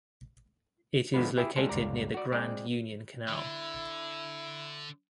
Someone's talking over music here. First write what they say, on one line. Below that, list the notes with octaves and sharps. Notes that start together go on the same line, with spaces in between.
It is located near the Grand Union Canal.
D3 F3 G#3 B3 B4
E4 G4 G#4 E5
G3 G#3 C#4 A4 C5
G1 C#2 D5 A#5
F#4 D5
G#3 C4 D5
D3 E4